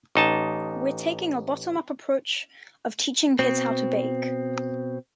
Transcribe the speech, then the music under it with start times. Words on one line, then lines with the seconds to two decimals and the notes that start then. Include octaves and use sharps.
We're taking a bottom-up approach of teaching kids how to bake.
0.15 A1 D#4 A5
3.39 B2 C4